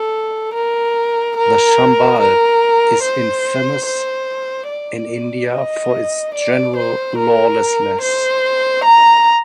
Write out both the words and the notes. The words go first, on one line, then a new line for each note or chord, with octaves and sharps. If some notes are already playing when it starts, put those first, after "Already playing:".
The Chambal is infamous in India for its general lawlessness.
Already playing: A4
A#4
A#4
A#4
C5
C5
D5
D#5
D5
C5
A#4
C5
A#5